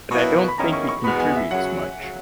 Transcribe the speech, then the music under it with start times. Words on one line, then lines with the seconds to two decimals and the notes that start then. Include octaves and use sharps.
But I don't think it contributes much.
0.11 B2 F#3 A#3 E4 B4 C#6
0.48 B5
0.57 E2 D#3 A#3 C#4 E4 A#5
0.73 C#6
0.89 C#6
1.04 E2 B2 G#3 B3 B5
1.19 G#5
1.36 E5
1.51 F#2 C#3 F#3 F#5
2.00 C#3 F#3